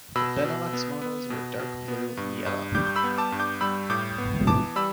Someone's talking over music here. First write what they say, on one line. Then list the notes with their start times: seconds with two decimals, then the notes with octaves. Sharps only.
The Benelux models were dark blue and yellow.
0.15 B2 B5 E6
0.45 B2
0.73 B3
1.02 B3
1.30 B2
1.59 B2
1.88 B3
2.17 G2
2.46 G2
2.75 G3 D6 G6
2.87 G6
2.96 B5 E6
3.04 B3
3.18 A5 D6
3.32 G2
3.40 D6 G6
3.61 G3 B5 E6
3.90 A2 D6 G6
4.18 B3
4.47 E3 A5 D6
4.76 G3 B5 E6